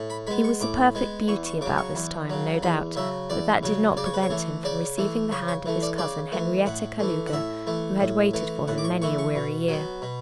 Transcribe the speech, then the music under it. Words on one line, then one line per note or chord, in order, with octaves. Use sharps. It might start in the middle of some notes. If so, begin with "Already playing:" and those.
He was a perfect beauty about this time, no doubt, but that did not prevent him from receiving the hand of his cousin Henrietta Kalouga, who had waited for him many a weary year.
Already playing: A2
B5
G#3 B3 B5
C#6
A2 D6
G#3 B3
E2 C#6
C#6
C#3 F#3 D6
C#6
E2
C#3 F#3
E2 B5
C#3 F#3 E5
E2 D5
C#3 F#3
C#3 D5
C#5
B4
C#5
E3 A3
C#3 D5
E3 A3
C#3 C#5
C#5
E3 A3
D5
C#3 D5
E3 A3
A2 F#5
E3 A3
F#5
A2 E5
E3 A3
A2
E3 A3
A2 F#5
D6
C#6
E3 A3 C#6
C#6
B2
F#3 B3
B2